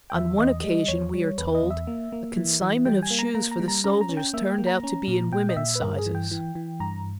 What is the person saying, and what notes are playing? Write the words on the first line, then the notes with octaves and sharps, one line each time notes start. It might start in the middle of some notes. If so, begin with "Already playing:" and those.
On one occasion, we are told, a consignment of shoes for the soldiers turned out to be in women's sizes.
G5
E2 E5
E2 D#5
G3
E2 C#5
G3
E2 B4
D#5
E2
E5
A#3
A#3
E3
E3
G3 G5
G#5
A#3
A#5
A#3 A#5
A#5
G3
A#5
C#4 A#5
A#5
C#4
G5
A#3 E5
G5
A#3
A#5
C#4
A#2
A#2 G5
D#5
A#2 E5
B4
G2 A#4
G#4
E3
G5
E3
E3
G2 A#5